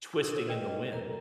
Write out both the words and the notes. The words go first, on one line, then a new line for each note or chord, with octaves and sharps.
twisting in the wind.
A4 A#4
A#4 C#5
B4 D5 D#5 G5
A#4 D#5
A4 A#4 A#5